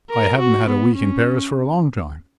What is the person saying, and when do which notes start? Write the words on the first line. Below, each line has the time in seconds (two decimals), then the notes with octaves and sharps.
"I haven't had a week in Paris for a long time."
0.11 A#4
0.39 F#4
0.68 B3
0.96 C#4